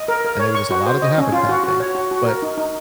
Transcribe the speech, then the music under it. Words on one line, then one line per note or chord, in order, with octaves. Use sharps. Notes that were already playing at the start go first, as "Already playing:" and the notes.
and they were just allowed it to happen kinda thing, but
Already playing: D#5
A#4
A#4
C#5
C#6
F#4
C5
D#5
C#4
F4
F#4
F#4
C#5
F#4
F#4
A#4
D#4
D#4